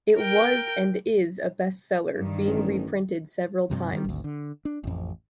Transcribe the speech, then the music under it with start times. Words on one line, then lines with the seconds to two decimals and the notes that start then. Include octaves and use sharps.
It was and is a bestseller, being reprinted several times.
0.16 A#4 G5
2.15 G2 D#3
2.47 A1
3.70 G2 C3 F3
3.93 D#3 G3
4.05 G#1 D2
4.24 D3
4.65 D4
4.84 A1 F2